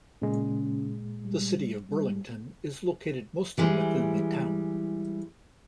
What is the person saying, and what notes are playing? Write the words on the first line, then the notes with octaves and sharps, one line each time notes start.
The City of Burlington is located mostly within the town.
A#2 C#3 G#3
G3
G3
E3 G3 G#3